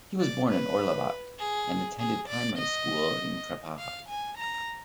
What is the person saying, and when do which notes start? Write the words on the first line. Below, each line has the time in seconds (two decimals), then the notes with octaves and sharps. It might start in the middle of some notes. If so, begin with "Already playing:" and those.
He was born in Orlovat, and attended primary school in Crepaja.
0.20 D5
0.50 B4
1.39 G#4
1.99 G#4
2.28 D5
2.58 D#5
3.79 F5
4.08 G#5
4.38 A#5